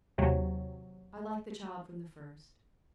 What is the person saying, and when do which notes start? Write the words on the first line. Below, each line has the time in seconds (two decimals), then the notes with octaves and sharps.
I liked the child from the first.
0.18 D#2 C3 F#3